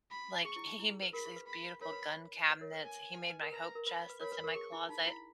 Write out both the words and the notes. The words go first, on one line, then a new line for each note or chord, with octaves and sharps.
like, he he makes these beautiful gun cabinets, he made my hope chest that's in my closet.
B5
G#4 C#6
E4
D#4
E4
G#4
B4
A#4 B5
G#4
B4
B5
A#4 C#5 B5
B4
B4
B4
A#4 C#5
B4
G#5
B4
A#4
B4 A#5
B4
A#4
B4 B5
B4
A#4 C#5 B5
B4
A#4
G#4 C#6
E4
D#4 B5
E4